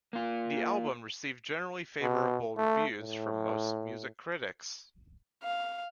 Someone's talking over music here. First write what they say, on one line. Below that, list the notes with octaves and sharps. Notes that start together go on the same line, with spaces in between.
The album received generally favorable reviews from most music critics.
A#3 F4
B2
A3
A2
F5